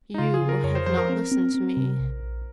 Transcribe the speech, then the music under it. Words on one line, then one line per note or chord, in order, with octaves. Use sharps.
You have not listened to me.
D#4
C#3 F4
G#4
C#3
A#4
F2 C#5
C5
F3 C5
A#4
C4 A#4
C4
C4
C3
A#1
A#1